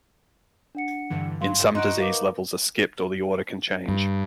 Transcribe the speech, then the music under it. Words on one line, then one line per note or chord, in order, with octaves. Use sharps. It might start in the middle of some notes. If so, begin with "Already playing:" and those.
In some disease levels are skipped or the order can change.
D4 F#5 C#7
G2 D3 E3
G2 F#3 F5 C6
D#4 F#4 C6 F#6 D7
A#4 B4 F5 D6
G2